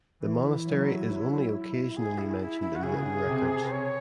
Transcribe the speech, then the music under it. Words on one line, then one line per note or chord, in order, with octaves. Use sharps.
The monastery is only occasionally mentioned in written records.
E3 E4
F#3
G#4
E4
E4
E4
F#4
C#3 G#4
C3
C#5